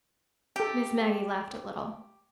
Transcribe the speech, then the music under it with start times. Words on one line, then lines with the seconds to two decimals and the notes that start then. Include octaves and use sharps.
Miss Maggie laughed a little.
0.56 G4 A4 G5